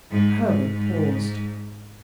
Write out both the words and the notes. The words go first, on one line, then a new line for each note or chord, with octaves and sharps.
Herbert paused.
G#2
G#2